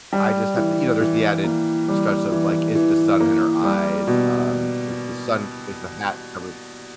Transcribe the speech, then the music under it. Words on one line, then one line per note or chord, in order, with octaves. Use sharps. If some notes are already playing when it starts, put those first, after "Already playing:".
I just have to you know, there's the added stress of, like, is the sun in her eyes, um, is the sun is the hat covering
G3
E3
E3
A#3
G3
E3
E3
A#3
G3
B2